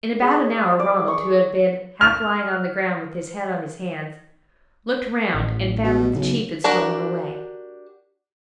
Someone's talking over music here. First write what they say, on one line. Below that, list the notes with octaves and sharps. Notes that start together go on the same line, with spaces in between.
In about an hour Ronald, who had been half lying on the ground with his head on his hands, looked round and found that the chief had stolen away.
G#4
D5
C#6
F6
A1
B2
B1 C#3
D4 F#4 G4 A#4